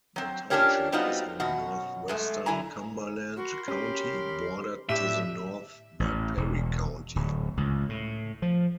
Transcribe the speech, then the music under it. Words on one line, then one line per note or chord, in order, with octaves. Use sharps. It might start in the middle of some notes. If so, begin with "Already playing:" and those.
The township is in northwestern Cumberland County, bordered to the north by Perry County.
F#3 C4
C#4 D4 F4 G4 A#4 C#5
G3 B3 C4 D#4 F4 F#4
F#2 B2 F#4
F#2 G#3 A3
D3 E4 G#5 A#5
F#4 A#4 B5 C6
C#4 G4
A2 D4 G4 E5
A1
E1
D1
C#2
A2
F3